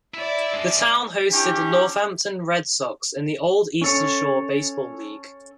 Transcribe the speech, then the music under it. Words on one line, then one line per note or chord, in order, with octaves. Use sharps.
The town hosted the Northampton Red Sox in the old Eastern Shore Baseball League.
E4 D5 E5
G#3 D4
C#4 D4 E4 G4
C#4 A4 C#5